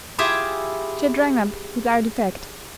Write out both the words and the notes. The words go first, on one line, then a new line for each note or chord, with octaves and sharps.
She had rung up without effect.
E4 F4 G4 G#4 E5 G#5